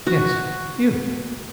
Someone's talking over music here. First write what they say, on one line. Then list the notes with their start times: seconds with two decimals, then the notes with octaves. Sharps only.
"Yes, you."
0.07 F#4